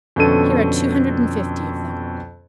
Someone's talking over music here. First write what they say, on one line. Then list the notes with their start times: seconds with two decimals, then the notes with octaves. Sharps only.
"Here are two hundred and fifty of them."
0.16 F2 B2 D3 C#4 A4 D#7